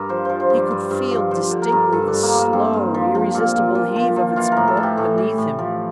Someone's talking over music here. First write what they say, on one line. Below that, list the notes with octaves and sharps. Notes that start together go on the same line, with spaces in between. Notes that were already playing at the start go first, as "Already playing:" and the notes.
He could feel distinctly the slow, irresistible heave of its bulk beneath him.
Already playing: G2 A#4
F3 C5
F3 C5
C5
G2
D5
G2
G2
F3
F3 C5
D3
A#4
G2
G2 A4
D4
G2
A#3
G2
A#3
G2 C4
G2
F3
F3
A#2
A#2
A#2
F3
F3
E3 F4
A2 A#4
A4
E3
G4
A2 A4
E3
A2
F3